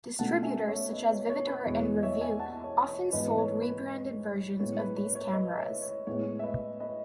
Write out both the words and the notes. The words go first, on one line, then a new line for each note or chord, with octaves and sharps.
Distributors such as Vivitar and Revue often sold rebranded versions of these cameras.
B2 A3 C#4 F#5 A5
E5 G#5
C#5 E5
B4 D#5
C#5
C#5
B4
E2 B2 G#3 B3 C#5
D#5
C#5 E5
E5 G#5
F#5 A5
C#5
C#5
G#2 E3 B3 B4 D#5
C#5
B4
A2 G#3 B3 C#5
B4
C#5
C#5
B4 D#5
C#5 E5
C#5
A2 G#3 B3 C#5
E5
B4 D#5
B4 D#5